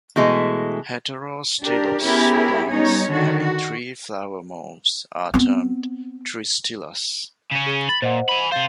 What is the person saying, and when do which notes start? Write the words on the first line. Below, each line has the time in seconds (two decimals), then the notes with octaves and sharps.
Heterostylous plants having three flower morphs are termed "tristylous".
0.16 B2 E3 G#3 A3
1.62 D4 G4 A#4
2.02 B3 C#4 E4 G4 G#4 A#4
2.70 G3 B3 C#4 D#4 C#5
3.06 D3 D#3 F#4
3.41 F#4
5.34 B3 C4
7.51 C#3 C#4
7.66 G#4 G7
7.89 B5 A6
8.02 A#2 C5 D#5 F#5
8.29 G#5 B5
8.52 C3 C5 F5 A6